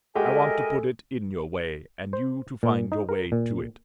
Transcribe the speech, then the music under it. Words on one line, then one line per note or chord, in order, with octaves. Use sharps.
I want to put it in your way, and you to find your way to it.
G#3 F#4 G4 A4 A#4 D#5 E5 G#5
C5
A#2
D#4
A#4
A#2